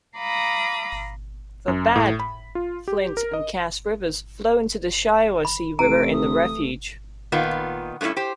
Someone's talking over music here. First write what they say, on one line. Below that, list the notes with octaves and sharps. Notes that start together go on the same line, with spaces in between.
The Bad, Flint, and Cass Rivers flow into the Shiawassee River in the refuge.
F5 A#5 B5 D6 D#6
F#2
A2
B5
F4
G4
A#4
D#5
B5
C3 E3 A3 A#5 D7
D#6
A#2 D#3 B3 D#4 F4
G2 A3 C4 C#4 E4
G4 C5